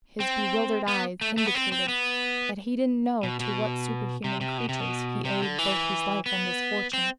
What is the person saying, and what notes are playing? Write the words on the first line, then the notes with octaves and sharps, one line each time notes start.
His bewildered eyes indicated that he didn't know to what superhuman creatures he owed both his life and his fortune.
C4
B3
A3
A3
B3
C4
C4
B3
B2
B2
C3
C3
B2
C3
B2
C3
D3
E3
B3
C4